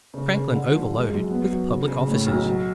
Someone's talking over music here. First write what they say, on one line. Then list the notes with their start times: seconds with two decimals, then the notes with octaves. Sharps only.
Franklin overloaded with public Offices.
0.14 C#3
0.34 C#3
0.52 D3
0.72 F3
0.91 G#3
1.10 F#2
1.30 B3
1.49 F#3
1.69 C#3
1.88 C#3
2.08 A2
2.27 B1
2.46 F#3